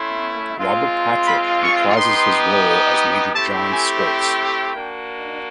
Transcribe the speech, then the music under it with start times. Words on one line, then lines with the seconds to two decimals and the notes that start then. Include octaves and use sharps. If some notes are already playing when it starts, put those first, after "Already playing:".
Robert Patrick reprises his role as Major John Skokes.
Already playing: A3 C#4 E4 C6
0.58 G#3 C4 F4
1.26 B5
1.61 C#6
1.96 B3 D#4 G4 C6
3.34 A3 C4 E4 G4 A5
3.70 G#5
4.05 G5
4.74 A#3 D4 F#4